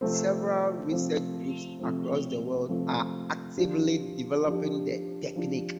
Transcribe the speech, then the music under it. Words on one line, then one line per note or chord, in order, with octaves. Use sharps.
Several research groups across the world are actively developing the technique.
C3 F3 A3 C4
C3 F3 A3 C4
C3 F3 A3 C4
C3 F3 A3 C4
F3 D4 G4
F3 D4 G4
F3 D4 G4